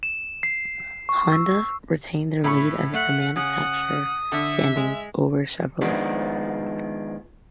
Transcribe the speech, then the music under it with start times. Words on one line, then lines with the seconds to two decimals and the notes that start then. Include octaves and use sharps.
Honda retained their lead of the manufacturer standings over Chevrolet.
0.03 E7
0.43 C7
1.09 C#6
1.32 E6
2.44 A2 B5 C#6
2.94 A3 F#5
3.36 C#3 F#5 D#6
4.32 D3 E5
4.77 G#3
5.81 D#3 F3 G#3 B3 D4